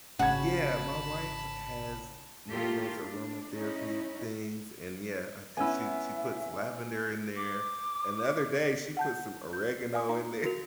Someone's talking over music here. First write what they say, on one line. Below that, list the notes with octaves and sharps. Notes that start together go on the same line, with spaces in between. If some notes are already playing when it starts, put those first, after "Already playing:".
Yeah, my wife has one of those aromatherapy things, and, yeah, I think she she puts lavender in there, and the other day, she put some oregano in there,
G#1 C#3 F#4 A5 B5 G#6
A3 A#3 F4 G4 A4
D4
C#4 D#4 E4
B3 C#4 E4 E5 G#5 E6
D6
F#5 A5 G6
G6
D5 F5 G#5 D#6
D#4 F5 A#5
F#4 A#4 F7